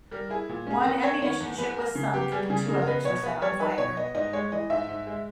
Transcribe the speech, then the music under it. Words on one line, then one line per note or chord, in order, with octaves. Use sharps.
One ammunition ship was sunk and two others were set on fire.
G3 A#4
E4 G#4
A#2
C#4 G#4
A#4
E2 B4
A#3 C#5
D#3 C#5
E2
E2 B4
A#3 A#4
C#3
B3 G4
G3 G#4
C#3 G#4
C#3 A#4
A#4
B3 B4
B2 C#5
B3 B4
G3 C#5
D#4 B4
B2 C#5
B3 D#5
G#2 D#5
G#3 C#5
E3 D#5
G#2 E5
G#2
G#3